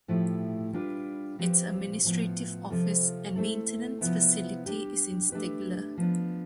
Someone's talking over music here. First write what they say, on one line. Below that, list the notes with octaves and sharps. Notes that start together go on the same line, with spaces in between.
Its administrative office and maintenance facility is in Stigler.
A2 F3 A3 E4 G4
G3 D4 F4 B4
F3 C4 G4 B4
A2 F3 B3
C3 F3 C4 F4 A4
A3 C4 E4 A4
C3 F3 B3 E4
G3 D4 G4
A3 D4 G4 B4
F3 B3 D4